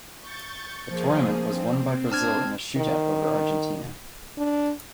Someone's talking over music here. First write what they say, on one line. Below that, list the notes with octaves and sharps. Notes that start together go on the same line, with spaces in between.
The tournament was won by Brazil in a shootout over Argentina.
C#6 G6 A6
F3 A#3 G#4
C4
D4 A5 F6 G#6
D#3
D4